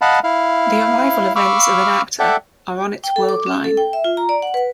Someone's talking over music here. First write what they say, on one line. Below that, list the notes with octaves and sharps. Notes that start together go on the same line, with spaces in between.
The arrival events of an Actor are on its world line.
D#5 F5 F#5 A5 B5
E4 F5
F5 B5 C#6 D6 E6 F6
A4 D5 E5 F#5 G5
G5
A4
D6
C#4
A4
G5
E5
F4
A#5
D5
F#5
B4